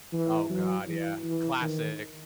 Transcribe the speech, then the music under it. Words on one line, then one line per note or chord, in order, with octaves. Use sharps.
Oh God, yeah, classic.
E3
F#3
E3
E3
D#3